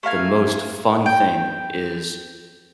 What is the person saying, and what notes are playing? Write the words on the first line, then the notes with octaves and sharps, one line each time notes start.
the most fun thing is
A3 A#4 F5 G#5
G5